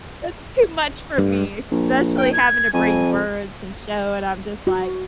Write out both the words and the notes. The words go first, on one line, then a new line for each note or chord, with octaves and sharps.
that's too much for me, especially having to bring birds and show and I'm just, like
G2
A#1
G5
G#6
F2 G#5
F#4